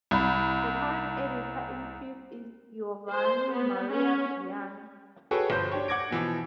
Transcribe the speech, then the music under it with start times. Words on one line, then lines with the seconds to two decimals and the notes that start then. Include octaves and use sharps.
The current editor-in-chief is Giovanni Maria Vian.
0.11 C2 B5
3.12 C5
3.52 B3
3.92 C#4
5.31 F#4 G#4 A4 B4 C#5 G5
5.50 G1 F3 C5 G6
5.71 D4 G4 C#5
5.88 F#5 D6 G#6 A#6 D7
6.11 B2 E3 F3